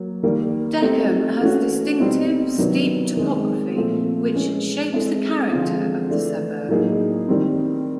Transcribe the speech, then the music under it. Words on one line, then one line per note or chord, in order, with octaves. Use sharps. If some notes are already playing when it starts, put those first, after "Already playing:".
Deckham has distinctive, steep topography which "shapes the character" of the suburb.
Already playing: F#3 A#3
D#3 G3 A#3
A3 C4 D#4 G4
E3 A3 C#4 F#4
B2 G3 C4 D#4
C3 D#3 F#3 B3 D4
D#3 G#3 C4
A#2 F3 A3 C4
E3 G#3 C#4
G#3 C4 E4 A4
D3 F3 G#3 C4 F4
E3 A3 D4
A2 F#3 A#3 D#4 G#4
D#3 G3 C4